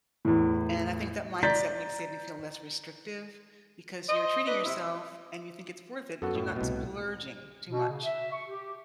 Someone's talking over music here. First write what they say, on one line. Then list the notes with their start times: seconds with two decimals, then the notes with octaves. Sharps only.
and I think that mindset makes saving feel less restrictive because you're treating yourself and you think it's worth it, but you're not splurging too much.
0.25 E2 A2
1.43 D5 A#5 G6 A6 B6
4.09 C5 D#5
4.44 D4 B4 D#5
4.64 C3 E4
6.22 F#2 B3 F#4 A4
6.35 A2
6.56 C2 B2
7.69 B2
7.89 C#3
8.04 E5
8.31 C#6
8.48 G4